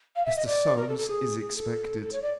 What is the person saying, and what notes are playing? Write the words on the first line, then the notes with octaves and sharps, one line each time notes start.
Mr. Solmes is expected.
F5
E5
D#5
D5
A#4
A4
A4
G#4
G#4
A4
A4
C#5
D5